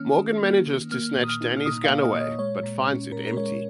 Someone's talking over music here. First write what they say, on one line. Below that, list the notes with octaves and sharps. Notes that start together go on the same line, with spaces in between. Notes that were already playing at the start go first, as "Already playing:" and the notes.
Morgan manages to snatch Danny's gun away, but finds it empty.
Already playing: D#3 A#3 C#4 F6
D#3
A#3
D#3
A#3 F6
A#2
D#6
F6
D#4
F6
A#2 D#6
F5
A#3
D#5
A#2
C#5
G#3 C#5
A#2
C#4
A#2 A#4
A#4
G#3 C#5